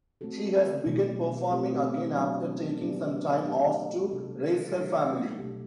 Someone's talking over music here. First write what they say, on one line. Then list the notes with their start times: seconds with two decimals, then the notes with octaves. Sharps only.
She has begun performing again after taking some time off to raise her family.
0.21 A3 C4 F#4 A4
0.86 B2 F#3 A3
1.51 A3 C4 G4
2.16 F#3 B3 D4
2.81 F#3 B3 D4 G4
3.45 A3 D4 G4
4.10 C3 G3 D4 A4
4.75 F#3 A3 D4 A4
5.39 B2 A3 D4 G4